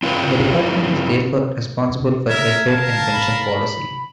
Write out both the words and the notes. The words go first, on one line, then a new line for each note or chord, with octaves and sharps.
The Department is therefore responsible for welfare and pension policy.
C4 E4 F4 A#4 B4
A#4 E5 G#6
A#4 F5 A5
B5